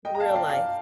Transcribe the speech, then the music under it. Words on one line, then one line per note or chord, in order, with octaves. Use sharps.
Real life.
D#5 G5
A#5
F5 A5
G5
D5 F5
D5 F5